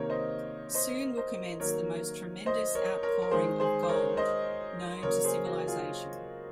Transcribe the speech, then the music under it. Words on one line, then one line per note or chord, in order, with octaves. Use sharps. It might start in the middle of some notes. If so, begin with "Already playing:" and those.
Soon will commence the most tremendous outpouring of gold known to civilization.
Already playing: C3 D#3 A#3 A#4 C#5
C5 D#5
C5 D#5
C5 D#5
D#3 F#3 A#3 A#4 C#5
C5 D#5
A#4 C#5
A#4 C#5
A#4
D#3 G#3 G#4 C5
G#4 C5
C5
A#4 C#5
C5 D#5
C#3 F#3 A#3 A#4 C#5
G#4 C5
F#4 A#4
F4 G#4